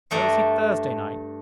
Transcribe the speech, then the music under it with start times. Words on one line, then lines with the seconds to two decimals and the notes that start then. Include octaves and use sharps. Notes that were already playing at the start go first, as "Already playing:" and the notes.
Where was he Thursday night?
0.11 G2 A3 D4 A#5